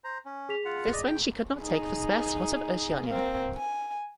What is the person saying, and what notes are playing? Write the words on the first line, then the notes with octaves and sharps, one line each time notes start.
This meant she could not take the spare slot of Oceania.
C5 A#5
C#4
G#4 B6 F7
F4 F#5
D5 D#5
G5
D#4 G#4
A#3 C4
G#5